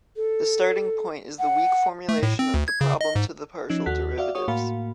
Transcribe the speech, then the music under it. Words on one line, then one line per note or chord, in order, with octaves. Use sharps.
The starting point is the weak formulation of the problem to the partial derivatives.
A4
F#5
A3
A2
C4
D2
G#6
C#3
D#5
G#2
F3 C#4 D#4
D#2 F#4 A4 F#6 B6
F#4 D5 E5 F5
F#4 C#5 C#6 D#6
A2 A#3 F#4 F5 B5